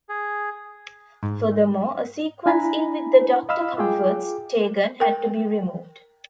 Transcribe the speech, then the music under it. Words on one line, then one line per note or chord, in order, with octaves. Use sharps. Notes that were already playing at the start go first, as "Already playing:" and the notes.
Furthermore, a sequence in which the Doctor comforts Tegan had to be removed.
G#4
G#2
D4 E4 G#5 A#5 B5
D#5 F5 B5 E6 F6
F4 G#4 G5 D6
A#4 G5